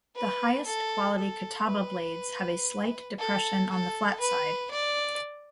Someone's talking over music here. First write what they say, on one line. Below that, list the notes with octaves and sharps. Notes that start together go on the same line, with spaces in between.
The highest quality "kataba" blades have a slight depression on the flat side.
B4
A4
A4
B4
A4
A4
B4
D5